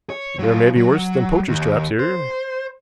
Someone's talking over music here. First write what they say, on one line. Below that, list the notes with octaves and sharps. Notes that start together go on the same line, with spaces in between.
"There may be worse than poachers' traps here."
C#5
F#3 F4
F#3
D#2
C5